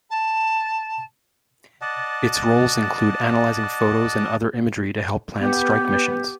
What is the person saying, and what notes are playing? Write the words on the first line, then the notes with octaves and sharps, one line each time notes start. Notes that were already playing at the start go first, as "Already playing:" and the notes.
Its roles include analysing photos and other imagery to help plan strike missions.
A5
D5 D#5 F#5 A5
B3 G4